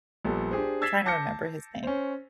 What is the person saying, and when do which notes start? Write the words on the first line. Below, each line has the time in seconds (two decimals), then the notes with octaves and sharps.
Trying to remember his name.
0.25 A#1 G3 B3 A4
0.51 D4 G4 G#4 C5
0.82 E6 G#6 A6 B6 C7 E7
1.06 A5 D6 G6 A#6 C#7
1.83 C#4 C5